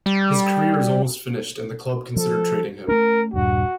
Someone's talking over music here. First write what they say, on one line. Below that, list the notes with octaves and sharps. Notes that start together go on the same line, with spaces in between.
His career is almost finished and the club consider trading him.
G3
F3 A4
A3 C#4 A#4
D#1 G2 A#2 F#4